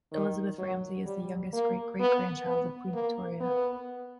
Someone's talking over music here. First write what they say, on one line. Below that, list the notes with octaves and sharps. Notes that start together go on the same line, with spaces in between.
Elizabeth Ramsay is the youngest great-great-grandchild of Queen Victoria.
D#3
F#3
G3
A#3
B3
B3
A#3
B3